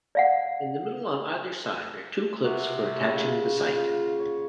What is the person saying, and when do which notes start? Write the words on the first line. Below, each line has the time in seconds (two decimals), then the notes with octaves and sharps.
In the middle on either side are two clips for attaching the sight.
0.15 D5 F5 F#5
2.44 C3 F#4
2.97 A#2 C#3
3.69 F4
4.19 C#5